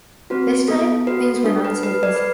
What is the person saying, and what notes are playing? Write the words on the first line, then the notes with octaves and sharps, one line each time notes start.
This time things were not so easy.
C4 F#4 B4
B3 A4
F#4 A4 B4
D4 A4
B4
A4 B4
B4 D5
B4